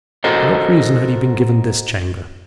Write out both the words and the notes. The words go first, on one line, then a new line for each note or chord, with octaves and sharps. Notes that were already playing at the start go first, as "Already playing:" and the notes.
For what reason had he been given this chamber?
F#4 A4 A#4 C5 D#5